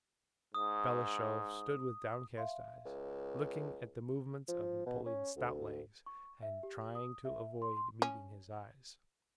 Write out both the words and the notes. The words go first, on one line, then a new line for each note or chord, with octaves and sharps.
Balashev stood with downcast eyes, looking at the movements of Napoleon's stout legs and trying to avoid meeting his eyes.
G#2 D#6
E5 F5 C6
C#2
F3
B2
C#4
D2
C#6
E5
G4
D#6
E5
C6
C6
C#4